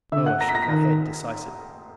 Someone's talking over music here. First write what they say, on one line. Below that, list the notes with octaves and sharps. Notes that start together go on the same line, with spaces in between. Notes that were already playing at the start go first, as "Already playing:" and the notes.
Moa shook her head decisively.
D3 E5 E6
F#5 F#6
A#5 A#6
B6
A#5 A#6
B6
D#3 A#5 A#6